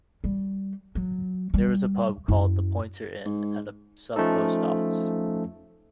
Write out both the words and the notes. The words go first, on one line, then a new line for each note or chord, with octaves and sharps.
There is a pub called "The Pointer Inn" and a sub-post office.
G3
F#3
G3
F#2 E4
G#2
F3 A3 C#4 D#4 A4